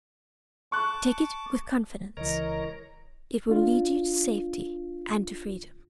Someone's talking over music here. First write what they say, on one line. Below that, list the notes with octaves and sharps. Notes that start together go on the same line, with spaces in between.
Take it with confidence--it will lead you to safety and to freedom.
A5 C#6 D6 F#6
C#2 E3 A#4 C#5 D#5 A#5
D4 F4